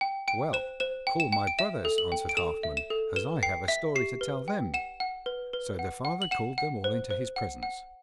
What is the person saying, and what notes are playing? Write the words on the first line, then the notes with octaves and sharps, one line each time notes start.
'Well, call my brothers,' answered Halfman, 'as I have a story to tell them.' So the father called them all into his presence.
G5
G5 D7
C5 E7
C5 E7
G5
E7
G5
D7
E5 E7
A4
F#7
G5
D7
A4 E7
E5
E7
A4
B4 E7
G5 C7
E5 B6
G4 C7
B4
G5
F#5 E7
F#5
B4
B4
F#5
F#5
F#7
F#5 E7
F#5
C5
C5
F#5
F#5